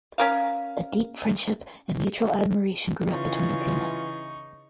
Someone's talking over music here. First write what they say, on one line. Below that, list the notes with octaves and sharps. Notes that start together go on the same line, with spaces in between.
A deep friendship and mutual admiration grew up between the two men.
C#4 A#4 F5
C#3 E3 D#4 F4 G#4 C#6